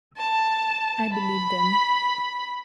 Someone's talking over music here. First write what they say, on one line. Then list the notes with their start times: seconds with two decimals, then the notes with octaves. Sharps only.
I believe them.
0.17 A5
1.13 B5